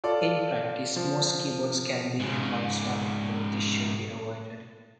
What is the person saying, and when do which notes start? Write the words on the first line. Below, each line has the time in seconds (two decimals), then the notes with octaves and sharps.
In practice most keyboards can be hot swapped but this should be avoided.
0.04 F4 A4 D5
0.96 F3
2.20 G#2 C#3